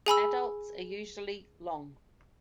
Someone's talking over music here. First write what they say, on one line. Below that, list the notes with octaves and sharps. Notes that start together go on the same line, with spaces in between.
Adults are usually long.
G#4 G#5 B5 E6